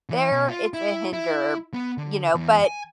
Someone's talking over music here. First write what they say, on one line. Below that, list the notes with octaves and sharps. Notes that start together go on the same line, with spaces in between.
there it's a hinder, you know, but
E3
B2
F4
E4
E4
B3
D3
E2
G#5